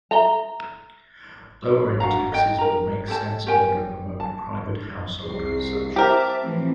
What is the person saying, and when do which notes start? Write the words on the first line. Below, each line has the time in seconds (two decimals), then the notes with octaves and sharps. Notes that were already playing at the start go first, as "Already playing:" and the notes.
Lowering taxes would make sense in order to promote private household consumption.
0.11 A4 E5 A#5 G7
2.00 D4 F#4 F5 A#5
2.31 A4 D#5 G5
2.58 A#4 A#5
3.08 G4 A4 A5
3.46 G4 A#4 G5 G#5
4.20 A5
5.23 C2 G#4 C7
5.96 G4 A#4 C5 E5 A5 D6
6.42 A2 E3 F3 C4